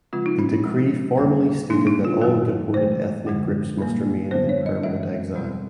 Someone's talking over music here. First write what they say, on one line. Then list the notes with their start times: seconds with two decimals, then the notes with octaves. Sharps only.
The decree formally stated that all deported ethnic groups must remain in permanent exile.
0.13 C#3 F3 G#3 C4 F4
0.26 D#4
0.39 C#4
0.65 C#3 F3 G#3 C4
1.17 F2 D3 G3 A#3
1.70 B2 F#3 A#3 D4
1.87 D#4
2.05 F4
2.22 F#2 D#3 F#3 F#4
2.74 C#3 E3 A3 C5
3.26 F#2 D3 F3 G#3
3.78 A#2 G3 A#3
4.31 F#2 D3 F#3 B3 C5
4.49 C#5
4.66 D#5
4.83 G2 E3 G#3 C4 E5
5.36 B2 G3 C4